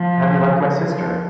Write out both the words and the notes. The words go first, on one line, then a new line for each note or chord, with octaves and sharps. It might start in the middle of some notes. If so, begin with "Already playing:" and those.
How Do You Like My Sister?
Already playing: F3
F#3
F3